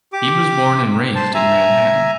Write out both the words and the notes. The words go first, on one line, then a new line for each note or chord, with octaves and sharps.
He was born and raised in Manhattan.
G4 D6
C5 A5
E5 G#5 A#5